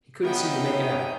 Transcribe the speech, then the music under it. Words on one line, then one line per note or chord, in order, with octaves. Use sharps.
He couldn't seem to make it out.
B3 C#4 D#4 A#4 E5 G5